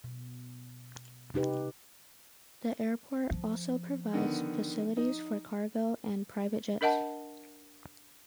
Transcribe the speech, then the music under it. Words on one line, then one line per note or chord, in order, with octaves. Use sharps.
The airport also provides facilities for cargo and private jets.
B2
C3 D#4 G4 B4
F3
D3 D#3 B3
D#4
D4 A#4 D#5 F#5 A5